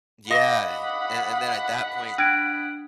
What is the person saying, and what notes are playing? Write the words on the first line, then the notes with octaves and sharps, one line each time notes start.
Yeah. And and then at that point,
D#5 F5 F#5 B5 D6
D4 F#6 G#6 D7